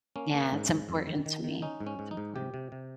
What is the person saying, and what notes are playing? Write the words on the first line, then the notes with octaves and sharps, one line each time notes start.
Yeah, it's important to me, it's important.
A#3 C#4
A#3
G#2
G#2
F2
D#3
D#3
D#3
C#4 D#4
G#2
C#4
G#2
D#4
G#2
C3 G4
C3
C3